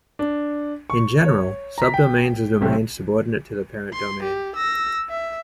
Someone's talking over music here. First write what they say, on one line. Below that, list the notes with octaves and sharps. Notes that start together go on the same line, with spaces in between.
In general, subdomains are domains subordinate to their parent domain.
D4
C#6
C#5
A#5 B6
G5
B1 C3 A3
C6
G4
E6 A#6
E5